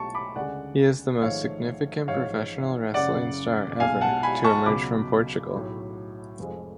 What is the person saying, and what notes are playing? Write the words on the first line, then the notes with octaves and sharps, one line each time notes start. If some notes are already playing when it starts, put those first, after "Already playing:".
He is the most significant professional wrestling star ever to emerge from Portugal.
Already playing: B1 B2 A3 A5 C#6
B5 D6
D2 C#3 G#3 D5 F#5
G#1 G#2 F3 A3 C#5 F5
A1 G#2 F3 C#5 F5
F#1 F#2 C#3 D5 F#5
B1 B2 G#3 F5 G#5
F#5 A5
G#5 B5
A5 C#6
C#2 B2 F#3 B5 D6
B1 A2 F#3 A3
F1 F2 F3 G#3